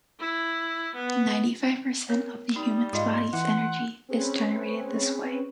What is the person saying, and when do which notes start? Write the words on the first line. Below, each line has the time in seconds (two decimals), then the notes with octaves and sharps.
Ninety-five percent of the human body's energy is generated this way.
0.20 E4
0.95 B3
2.09 B3 A#4 C#5
2.56 G3 D#4 D#6
2.93 G#2 F4 D#5 F5 C6
3.33 E3 F#5
4.09 C4 C#4 G#4 B4 C#5